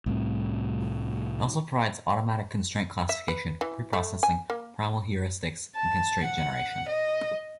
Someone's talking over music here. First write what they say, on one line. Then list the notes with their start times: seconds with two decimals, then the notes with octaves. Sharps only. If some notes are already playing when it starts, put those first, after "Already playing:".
It also provides automatic constraint classification, preprocessing, primal heuristics and constraint generation.
0.06 C2 A2 C3
3.09 E5
3.28 B4
3.61 E3
3.93 A3
4.23 G#5
4.50 A#3
5.75 A5
6.24 F#5
6.88 D#5